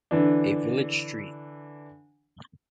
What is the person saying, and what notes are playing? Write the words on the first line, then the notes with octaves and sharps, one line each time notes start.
A village street.
D3 E3 D4